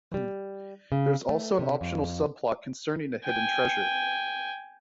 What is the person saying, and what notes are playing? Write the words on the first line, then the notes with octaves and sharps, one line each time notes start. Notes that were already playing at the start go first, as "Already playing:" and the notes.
There is also an optional subplot concerning a hidden treasure.
G3
C#3
A3
C3
F2
G5 G#5